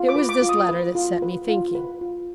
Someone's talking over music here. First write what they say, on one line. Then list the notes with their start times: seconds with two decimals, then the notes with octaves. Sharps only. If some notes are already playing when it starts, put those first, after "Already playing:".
It was this letter that set me thinking.
Already playing: F4
0.09 D6
0.16 B4
0.29 D6
0.42 F4
0.49 D#6
0.69 B4
0.95 F4
1.22 B4
1.48 F4
1.75 B4
2.01 F4